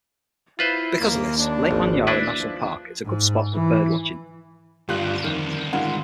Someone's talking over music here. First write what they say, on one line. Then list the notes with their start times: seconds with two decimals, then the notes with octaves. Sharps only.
Because of this Lake Manyara National Park is a good spot for bird watching.
0.59 E4 F4 B4 C5
1.00 D#2 A#3
1.38 D4
1.71 G#1
2.07 D4 E4 B4
2.38 F3
3.06 G#2
3.54 E3
4.89 D2 G2 G3 F4 G4 F#6 F#7
5.24 F2 D#3
5.73 G#2 D#3 G#3 F4 F#5